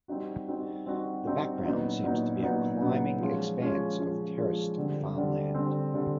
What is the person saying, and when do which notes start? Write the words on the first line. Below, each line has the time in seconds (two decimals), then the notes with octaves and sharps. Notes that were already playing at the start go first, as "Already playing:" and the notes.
The background seems to be a climbing expanse of terraced farmland.
0.08 G3 C4 D#4 F#4
0.48 G3 C4 D#4 F#4
0.86 G3 C4 D#4 F#4
1.25 G3 C4 D#4 F#4
1.64 A#2 F#3 B3 D#4
2.03 A#2 F#3 B3 D#4
2.43 A#2 F#3 B3 D#4
2.81 A#2 F#3 B3 D#4
3.20 F3 G#3 C#4 F4
3.60 F3 G#3 C#4 F4
3.98 F3 G#3 C#4 F4
4.37 F3 G#3 C#4 F4
4.77 D3 G3 C4
5.15 D3 G3 C4
5.55 D3 G3 C4
5.94 D3 G3 C4